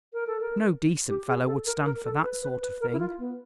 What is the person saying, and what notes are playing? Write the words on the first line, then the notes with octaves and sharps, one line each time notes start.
No decent fellow would stand for that sort of thing.
A#4
A4
A#4
G4
G#4
A4
A#4
A#4
A4
B4
B4
B4
A#4
E4
F4
B3